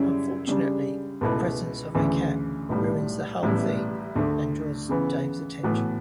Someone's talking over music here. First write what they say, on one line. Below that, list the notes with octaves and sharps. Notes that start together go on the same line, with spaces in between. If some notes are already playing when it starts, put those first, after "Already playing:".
Unfortunately, the presence of a cat ruins the whole thing, and draws Dave's attention.
Already playing: F#2 C#3 G3 C#4 E4
C#3 G3 D4
C#2 B2 A3 E4 B4
D2 C#3 E3
B1 A2 G3
A1 A2 G3 B3 E4
D2 D3 A3
C#3 E3 B3
A2 E3 B3 F#4 B4